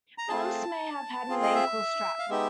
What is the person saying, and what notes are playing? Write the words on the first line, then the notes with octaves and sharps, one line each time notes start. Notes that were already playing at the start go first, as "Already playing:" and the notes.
Pumps may have an ankle strap.
A#5
A3 C4 F4 G#4 A5
C4 F4 G#4
D#5
E5
F5
G#3 B3 D#4 G4 E5